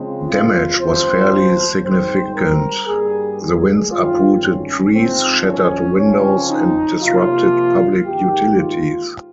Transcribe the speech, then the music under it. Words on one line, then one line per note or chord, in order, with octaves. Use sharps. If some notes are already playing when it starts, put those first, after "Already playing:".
Damage was fairly significant; the winds uprooted trees, shattered windows, and disrupted public utilities.
Already playing: C#3 F3 G#3 C4
F4
G2 F3 C4 C5
G#2 G3 C4 C5
A#4
G2 G3 A#3 G#4
G#4
G2 D#3 G#3 C4 F4
C#4
G#2 F3 G#3 C4
C#4
C#3 F3 C4 C#4
D#4
C3 F3 A#3 F4
G#2 D#3 A#3 G4
F4